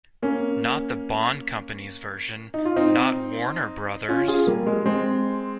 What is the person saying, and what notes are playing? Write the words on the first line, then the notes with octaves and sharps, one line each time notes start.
Not the bond company's version, not Warner Brothers'.
A#3 C#4
D#4
F4
C4 D#4
C#4 F4
F4 G#4
G3 A#3
G#3
G#3 C4